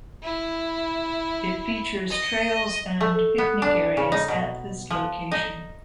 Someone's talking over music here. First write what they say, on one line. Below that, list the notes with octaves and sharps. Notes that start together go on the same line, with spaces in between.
It features trails and picnic areas at this location.
E4
D#5
A3
B3
D4
C#3
D#4
B2
F3
D#4